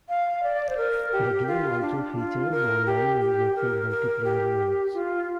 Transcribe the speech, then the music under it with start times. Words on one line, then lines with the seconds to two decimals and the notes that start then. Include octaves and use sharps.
The game also features online and local multiplayer modes.
0.09 F5
0.43 D5
0.69 C5
0.77 A#4
1.12 G4
1.47 F4
1.81 D4
2.17 F4
2.51 A#4
2.86 G4
3.21 G4
3.56 A#4
3.90 A#4
4.24 G4
4.94 F4